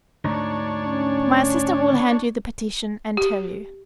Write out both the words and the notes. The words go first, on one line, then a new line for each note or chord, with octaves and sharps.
"My assistant will hand you the petition and tell you."
D2 G#2 D4 D#4 C#5
C#4
G4